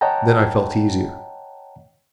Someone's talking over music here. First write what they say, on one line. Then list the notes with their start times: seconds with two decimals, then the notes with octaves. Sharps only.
Then I felt easier.
0.01 C#5 D#5 F#5 G5 A5 A#5